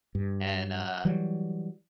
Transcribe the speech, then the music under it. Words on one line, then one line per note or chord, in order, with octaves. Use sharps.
and, uh,
G2
E3 F#3 G3